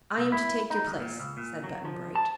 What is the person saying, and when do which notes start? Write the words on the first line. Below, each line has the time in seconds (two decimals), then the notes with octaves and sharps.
"I am to take your place," said Button-Bright.
0.17 B1
0.32 E4
0.70 D#4
0.87 D#2
1.00 A#2
1.20 C#2
1.37 A#2
1.64 F#3
1.85 F3
2.15 A5